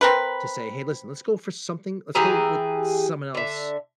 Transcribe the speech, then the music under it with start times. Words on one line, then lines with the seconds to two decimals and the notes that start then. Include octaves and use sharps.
to say, "Hey, listen, let's go for something let's go with someone else,"
0.01 C4 A#4 B4
2.15 E3 G4 G#4 A#5
3.35 D3 E5